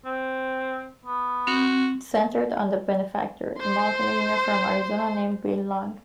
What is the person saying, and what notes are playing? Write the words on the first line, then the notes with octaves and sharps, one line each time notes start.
It centered on the "Benefactor", a multi-millionaire from Arizona named Bill Long.
C4
B3
C4 F#4
C5 C6